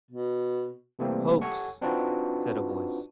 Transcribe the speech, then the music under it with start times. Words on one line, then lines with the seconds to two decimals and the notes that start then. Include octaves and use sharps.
"Hoax," said a Voice.
0.11 B2
0.99 C3 E3 G3 A3 A#3 C4
1.41 G4 A4 C#5 F#5 G#5 C#6
1.81 C4 D4 D#4 F4 F#4 B4